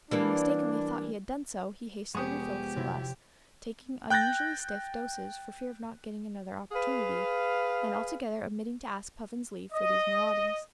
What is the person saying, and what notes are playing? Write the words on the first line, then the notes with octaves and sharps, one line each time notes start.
When he mistakenly thought he had done so, he hastily refilled his glass, taking unusually stiff doses for fear of not getting another opportunity, and altogether omitting to ask Puffin's leave for these maraudings.
E3 G3 A#3 D4
F1 G#3 B3 G4 C#6 D#6
C3 F#3 E4
G5 F#6 G6 A6 A#6
G#4 B4 F5
D#5